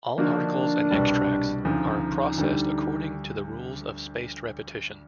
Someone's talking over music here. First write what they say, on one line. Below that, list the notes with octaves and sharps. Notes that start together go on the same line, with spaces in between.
All articles and extracts are processed according to the rules of spaced repetition.
D3 F3 A#3 D4 D#4 F#4
C2 B2 G3
D2 C#3 F3 D#4
D2 D3 G3